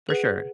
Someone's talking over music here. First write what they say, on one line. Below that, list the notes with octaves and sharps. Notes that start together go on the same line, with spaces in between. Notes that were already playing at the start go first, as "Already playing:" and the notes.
For sure.
G#4 B4 F#5